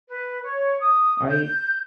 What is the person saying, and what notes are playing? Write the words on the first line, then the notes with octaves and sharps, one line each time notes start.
Are you
B4
C#5
D#6
G6